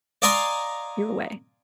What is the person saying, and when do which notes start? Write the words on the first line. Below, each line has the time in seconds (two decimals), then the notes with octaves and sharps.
your way,
0.22 D5 D#5 F5 G#5 A#5 C6